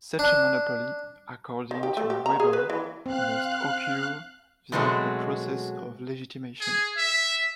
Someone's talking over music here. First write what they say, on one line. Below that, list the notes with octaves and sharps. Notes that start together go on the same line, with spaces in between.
Such a monopoly, according to Weber, must occur via a process of legitimation.
D4
D#3
G4
A3
G4
A#5
G#4
B4
E3
C4 F5 F#6
B2 F#3 G#3 A3 C4 F#4
G#4
E5